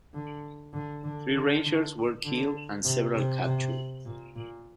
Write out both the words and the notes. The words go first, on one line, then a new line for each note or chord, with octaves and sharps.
Three Rangers were killed and several captured.
D3
D3
D3
D3
D3
D3
C3
C3
C3
A#2
A#2